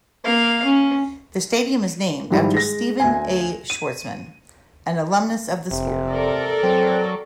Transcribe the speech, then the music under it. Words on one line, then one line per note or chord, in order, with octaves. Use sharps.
The stadium is named after Stephen A. Schwarzman, an alumnus of the school.
A#3 F5
C#4
G#2 D#3 F3 G3 E4
G#3 A#6
D2 G#5
D#7
F1 C3
A4 A#4 D5
F#3 C4